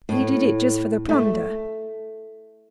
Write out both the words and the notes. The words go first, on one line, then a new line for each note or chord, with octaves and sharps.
He did it just for the plunder.
A2
A3